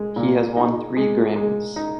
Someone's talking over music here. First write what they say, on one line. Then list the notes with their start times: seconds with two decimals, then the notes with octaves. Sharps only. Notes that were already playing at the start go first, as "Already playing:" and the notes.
He has won three Grammys.
Already playing: G#3
0.16 A#2
0.57 D#4
0.96 G#3
1.36 G#3
1.76 D#4